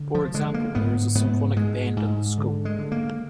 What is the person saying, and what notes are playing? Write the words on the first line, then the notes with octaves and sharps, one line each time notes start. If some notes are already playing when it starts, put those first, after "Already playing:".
For example, there is a symphonic band in the school.
Already playing: D3
F3
D3 G#3
A#3
G#2 B3
G#2 B3
G#2 G#3
G#2
D3
G#3
D3
A#3